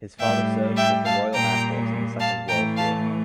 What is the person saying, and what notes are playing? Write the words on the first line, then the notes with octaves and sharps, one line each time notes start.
His father served with the Royal Air Force in the Second World War.
A2 G3 E5 G5
E5 G5
F5 A5
A#2 G3 G5 A#5
F5 A5
A2 E3 A3 G5 A#5
F5 A5